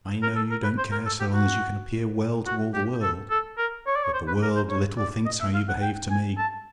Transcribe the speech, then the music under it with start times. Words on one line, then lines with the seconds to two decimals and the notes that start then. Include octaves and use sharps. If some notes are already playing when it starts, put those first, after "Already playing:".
I know you don't care so long as you can appear well to all the world,--but the world little thinks how you behave to me.
0.22 A#4
0.36 A4
0.51 A#4
0.64 B4
0.78 C5
0.92 A#4
1.06 A4
1.20 G4
1.34 F#4
2.46 F#4
2.74 G4
3.02 A4
3.30 A4
3.58 A#4
3.87 C#5
3.95 D5
4.04 C#5
4.14 C5
4.27 B4
4.42 A#4
4.56 C5
4.70 C#5
4.98 D5
5.25 D#5
5.41 E5
5.54 F5
5.68 F#5
5.82 G5
6.10 G#5
6.38 A5